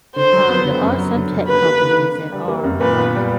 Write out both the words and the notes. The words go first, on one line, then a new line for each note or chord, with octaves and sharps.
Um, there are some tech companies that are, um
D3 C5
F#3
B3
D3
F#2
F#3
D3
D3
A#3 B4
A#3
D3
D3
D3
G3
A#3
F#2
A#2 B4
B3
G3